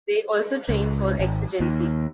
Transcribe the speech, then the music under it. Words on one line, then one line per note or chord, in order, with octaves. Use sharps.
They also train for exigencies.
C#2
G#1
D#2